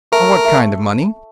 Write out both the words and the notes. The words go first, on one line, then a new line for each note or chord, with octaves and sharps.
"What kind of money?"
A3 A#4
A3